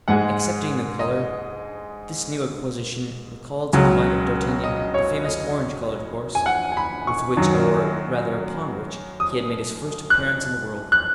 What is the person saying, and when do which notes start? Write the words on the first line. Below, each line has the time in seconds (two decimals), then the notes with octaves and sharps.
Excepting the color, this new acquisition recalled to the mind of D'Artagnan the famous orange-colored horse, with which, or rather upon which, he had made his first appearance in the world.
0.08 G#2 G#3 F#5
0.99 D#5
3.73 C#2 C#3 F#3
4.64 D#5
4.94 C#5
5.25 D#5
6.35 G#5
6.46 F#5
6.72 G#5
6.77 B5
7.07 C#6
7.37 F#2 D#3 F#3
9.20 D#6
10.10 F#6
10.92 F#6